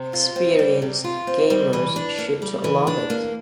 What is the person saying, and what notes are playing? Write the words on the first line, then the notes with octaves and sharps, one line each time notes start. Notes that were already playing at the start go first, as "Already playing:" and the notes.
Experienced gamers should love it.
Already playing: C3
F4
C4
G3
C3
F4
C4
G3
E3
D4
A#3
G3
E3
D4
A#3